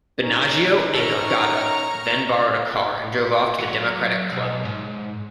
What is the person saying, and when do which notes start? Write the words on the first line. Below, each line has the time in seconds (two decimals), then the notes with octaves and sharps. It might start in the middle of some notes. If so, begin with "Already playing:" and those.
Binaggio and Gargotta then borrowed a car and drove off to the Democratic Club.
0.21 C#4 D#4 C#5
0.94 A4 A#4 E5 A#5 C#6 F6
3.60 F#3
4.32 B1
4.65 G#2